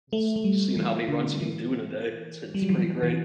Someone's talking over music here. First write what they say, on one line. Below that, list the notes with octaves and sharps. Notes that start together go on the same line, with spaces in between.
just just seeing how many runs you can do in a day. It's it's pretty great.
A3
A3
G3
E3
D3
E3
G3
F#3
E3
E3